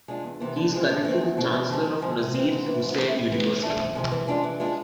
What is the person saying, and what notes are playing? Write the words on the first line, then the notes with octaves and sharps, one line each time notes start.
He is currently the Chancellor of Nazeer Hussain University.
G#3 D4 F4
E2
C3 E3 B3
D3
G#3 C4 F4
A2
E3 A3 C4
E2
B2 A3 C4
E2
D3 F3 G#3
F2
D3 F3 G#3
C3
E3 G#3 C4
G#2
E3 B3 E4
G#2
E3 A3 C4 E4
C3
E3 B3
E3
A3 D4
F2
C3 F3 G#3
E3
G#3 D4 F4
E3
G#3 D4 F4